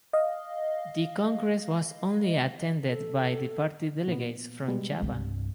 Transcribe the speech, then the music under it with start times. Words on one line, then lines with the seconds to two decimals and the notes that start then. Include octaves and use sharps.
The congress was only attended by the party delegates from Java.
0.13 D#5 F5
2.89 A4
4.08 A#2 B3
4.68 B2 G3 G#3
5.02 C2 G2